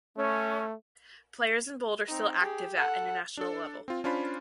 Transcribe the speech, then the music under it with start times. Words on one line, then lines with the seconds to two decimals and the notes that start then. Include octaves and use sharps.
Players in bold are still active at international level.
0.17 A3 C#4
2.08 C4 D#4
2.40 G4 G#4
2.75 A4 F#5
3.37 D4 A4
3.88 C4 F4
4.04 C#4 D4 F4 C5 B5